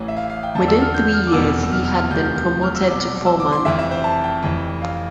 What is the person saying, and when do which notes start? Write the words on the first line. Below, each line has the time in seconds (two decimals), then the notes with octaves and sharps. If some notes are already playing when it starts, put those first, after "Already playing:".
Within three years he had been promoted to foreman.
Already playing: A1 A2 E3
0.08 E5
0.17 F5
0.30 F5
0.43 G5
0.55 E2 D3 F3 A5
0.68 E6
0.82 F6
0.94 G6
1.14 F6
1.27 D6
1.32 F1 E2 B2 E6
1.63 E6
1.72 F6
1.84 F6
1.97 F6
2.11 D2 C3 F3 G6
2.23 F6
2.36 G6
2.63 F6
2.76 E6
2.88 C2 B2 D6
3.26 E6
3.40 D6
3.52 C6
3.65 F1 F2 E3 E5
3.79 E5
3.91 C5
4.04 A5
4.24 G5
4.43 F1 F2 E3
4.82 F5